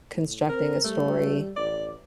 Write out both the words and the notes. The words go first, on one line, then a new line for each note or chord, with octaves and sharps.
constructing a story,
A2
C4 A#4
G3 A3
A1 D5